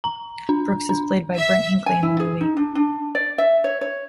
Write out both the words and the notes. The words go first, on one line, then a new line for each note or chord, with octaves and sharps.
Brooks is played by Brent Hinkley in the movie.
A#5
D4
D4
E5
G#5
E4
G#4
D#4
D4
D4
D5
E5
C#5
C#5